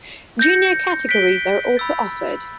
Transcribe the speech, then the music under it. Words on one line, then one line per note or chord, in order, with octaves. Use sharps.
Junior categories are also offered.
G6 A#6 C#7
F#6 B6 D7 G7
B5 E6 A6